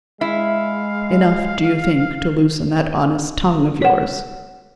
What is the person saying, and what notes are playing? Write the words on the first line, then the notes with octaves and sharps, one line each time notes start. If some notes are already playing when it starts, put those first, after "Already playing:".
"Enough, do you think, to loosen that honest tongue of yours?"
G#3 E4 F5
C#5 F#5